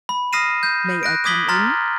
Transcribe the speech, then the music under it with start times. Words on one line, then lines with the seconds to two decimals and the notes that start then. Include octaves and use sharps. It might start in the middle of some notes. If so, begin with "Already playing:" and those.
"May I come in?"
0.09 B5
0.33 D#6 F6 A#6 C7 D#7 E7
0.63 G6
1.03 F#6 A#6 D7
1.25 D6 D#6 G#6 B6 F#7 G7
1.48 A#5 C6 F6 A6